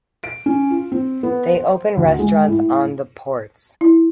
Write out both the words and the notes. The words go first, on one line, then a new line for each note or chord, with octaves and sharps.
They opened restaurants on the ports.
D7
C#4
F4
C4
B3
C5
D2
G#3
A2
E4